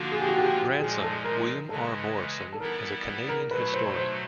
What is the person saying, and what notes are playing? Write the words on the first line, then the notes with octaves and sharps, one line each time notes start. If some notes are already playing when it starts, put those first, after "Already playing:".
His grandson, William R. Morrison, is a Canadian historian.
Already playing: D3 F3 A#3 D4 F4 F#4
G#4
G4
F#4
G4
A#2 F3 G#3 G#4
A4
A#4
C#3 E3 G#3 A4
A4
E3 G3 B3 E4 A#4
A#4
B2 F#3 A3 B4
C5
C5